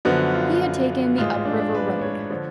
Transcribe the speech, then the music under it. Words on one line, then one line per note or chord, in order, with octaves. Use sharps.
He had taken the up-river road.
F#2 D3 F3 B3 F#4
F4
A1 G#2 G#3 F4
D4
D4
B4
C#5
D3 F3